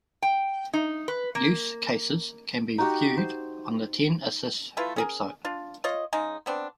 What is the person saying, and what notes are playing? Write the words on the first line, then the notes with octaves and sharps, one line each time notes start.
Use cases can be viewed on the TenAsys website.
G5
D#4
B4
A#3
D#4 F#4 G4
C5
A3 E4 F4 B4
C#4 G#4 A#4
D4 F4
F4 C#5 D#5
C#3 G#3 D#4
B3 C4 D4